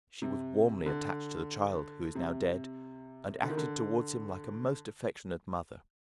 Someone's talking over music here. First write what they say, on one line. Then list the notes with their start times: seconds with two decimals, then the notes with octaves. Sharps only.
She was warmly attached to the child who is now dead and acted towards him like a most affectionate mother.
0.22 C3
0.86 D3
2.15 C3
3.43 D3
3.50 D#3
3.57 D3